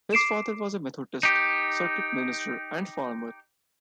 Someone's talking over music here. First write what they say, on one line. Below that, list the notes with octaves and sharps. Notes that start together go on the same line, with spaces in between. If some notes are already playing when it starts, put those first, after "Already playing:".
His father was a Methodist circuit minister and farmer.
D6 C7 D7 E7
D#4 G4